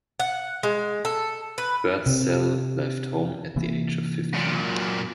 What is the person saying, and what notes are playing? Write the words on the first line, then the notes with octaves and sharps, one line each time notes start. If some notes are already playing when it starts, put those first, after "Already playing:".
Birdsell left home at the age of fifteen.
F#5
G#3
A4
B4
C3
C3 E3 A#3
F#2 A#2